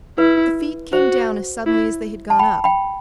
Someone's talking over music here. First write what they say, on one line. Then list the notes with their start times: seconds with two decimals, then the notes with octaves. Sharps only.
The feet came down as suddenly as they had gone up.
0.18 E4 B4
0.93 F#4 C5
1.66 E4
2.30 A5
2.39 G5 B5
2.64 G5 B5